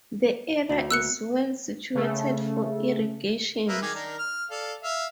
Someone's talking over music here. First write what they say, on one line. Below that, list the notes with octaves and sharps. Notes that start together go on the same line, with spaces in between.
The area is well suited for irrigations.
D2
E6 F#6 C#7
C#3 A3
A#3 B4 E5
D#3 G#4 D6
D#3 D4 A#4
F6
A4 D5 F5
E5 F5